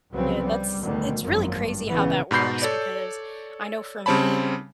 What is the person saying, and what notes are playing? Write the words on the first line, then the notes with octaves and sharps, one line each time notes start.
Yeah, that's it's really crazy how that works because I know for me
C2 C#3 F3 F#3 B3 C4
G3
D2 B2 D#3 G3
G#1 F#2 F3 F#3 A#3
G2
A#1 C#3 E3 B3
G#2 B2 B5 G6 C7
A4 C#5 D5
C#3 G3 C4 C#5 A5 B5